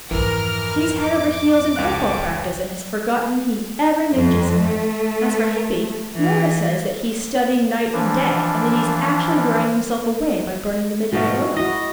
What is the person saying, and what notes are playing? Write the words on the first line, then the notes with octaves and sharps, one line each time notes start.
"He is head over heels in football practice and has forgotten he ever knew Jessica. As for Hippy, Nora says that he is studying night and day, and that he is actually wearing himself away by burning midnight oil."
G#1 F2 E3 A#4 F6
D6
C#2 F5 F#6
F2
A3
E3
E3 F3 D4
G#2 B2 F3 G#3 F#4
E4 F#4 D#5